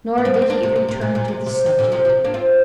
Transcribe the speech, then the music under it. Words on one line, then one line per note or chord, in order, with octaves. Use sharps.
Nor did he return to the subject.
F3
G3
A#3
C4
A#3 D4
C3
C3
C3
A#2
A#2
C3
C3
C3
A#2 D3
C3 F3
C3 F3
A#3 D4
C4 F4